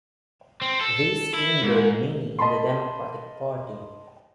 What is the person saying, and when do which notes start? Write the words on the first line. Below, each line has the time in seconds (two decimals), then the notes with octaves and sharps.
This angered many in the Democratic Party.
0.62 C4
0.81 A4
1.34 E4
1.63 G#2
2.39 D#5 A5 B5 C6